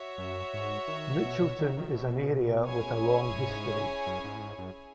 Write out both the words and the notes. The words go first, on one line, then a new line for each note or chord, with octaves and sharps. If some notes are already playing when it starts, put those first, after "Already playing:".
Mitchelton is an area with a long history.
Already playing: F#4 C#5 E5
F#2
G#2
D#3
B2
B2
D#3
D#3
B2
C#4 E4 G#4 C#5 G#5
G#2
F#2
G#2
A2
G#2
F#2